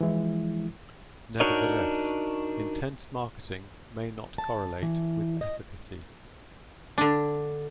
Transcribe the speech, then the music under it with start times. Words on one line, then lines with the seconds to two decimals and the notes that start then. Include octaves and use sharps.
Nevertheless, intense marketing may not correlate with efficacy.
0.01 E3 F3 G#3 E4
1.40 D4 D#4 F#4 A#4 C#5 D#5
4.38 A5
4.82 E3
5.41 D#5
6.98 D3 D4